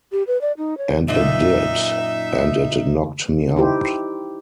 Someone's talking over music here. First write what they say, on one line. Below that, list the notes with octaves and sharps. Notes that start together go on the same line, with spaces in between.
And it did, and it knocked me out.
G4
B4
D5
D#4
C#5
F#2 A#2 D#4 E5
D#4 E4 G4 C5